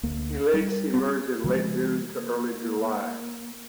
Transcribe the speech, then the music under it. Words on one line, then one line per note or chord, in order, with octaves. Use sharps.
Alates emerge in late June to early July.
D2 A#3
G3
C#3 F3 G#3
A#3